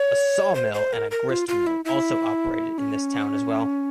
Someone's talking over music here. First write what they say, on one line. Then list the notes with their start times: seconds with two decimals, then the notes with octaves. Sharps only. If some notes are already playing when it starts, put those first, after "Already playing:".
A saw mill and a grist mill also operated in this town as well.
Already playing: C#5
0.55 C5
0.74 C5
0.93 A#4
1.11 A#4
1.29 F4
1.48 F4
1.67 E4
1.85 E4
2.78 C#4